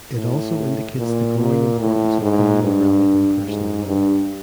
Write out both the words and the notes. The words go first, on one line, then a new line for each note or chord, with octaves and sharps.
It also indicates the growing importance of family rather than personal wealth.
A2
A#2
A#2
A2
G#2
G2
G#2
G2